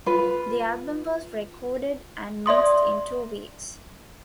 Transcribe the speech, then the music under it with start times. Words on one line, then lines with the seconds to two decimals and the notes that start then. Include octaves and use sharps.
The album was recorded and mixed in two weeks.
0.06 F4 B4
2.46 D5 E5 C6 D#6